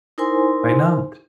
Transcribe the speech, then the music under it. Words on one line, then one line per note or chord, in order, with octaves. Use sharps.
Why not?
D#4 E4 A#4 C5 G#5 C6